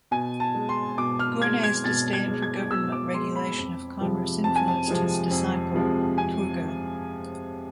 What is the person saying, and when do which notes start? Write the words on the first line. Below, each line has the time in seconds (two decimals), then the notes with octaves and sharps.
Gournay's disdain for government regulation of commerce influenced his disciple Turgot.
0.11 B2 G#5
0.40 A5
0.55 G#3
0.69 C6
0.98 B2 D6
1.19 F6
1.41 G#3 G#6
1.63 G#6
1.84 B2 A6
2.13 G#6
2.28 G#3
2.42 G#6
2.71 B2 E6
2.92 D6
3.14 G#3 C6
3.36 B5
3.58 F2
4.01 C3 F3 G#3
4.44 F2 A5
4.56 G#5
4.68 A5
4.88 C3 F3 G#3
5.30 F2
5.74 C3 F3 G#3
6.18 F2 G#5